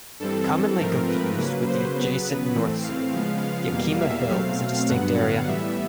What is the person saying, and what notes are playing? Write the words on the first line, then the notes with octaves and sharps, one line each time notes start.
Commonly confused with the adjacent North Slope, Yakima Hill is a distinct area.
G2 E3 G3 C4 A4
G#2 F3 A3 C4 A#4
B4
C#3 F#3 A#3
C5
C#3 F#3 B3 B4
A2 E3 A3 C4
F5
C#3 F3 G#3 B3 F5
F5
E2 B2 G3 A#3 F5
E5
B2 F#3 A3 C4 F5
F5
G2 D3 F#3 B3 F#5
F5
A2 E3 G3 B3 E5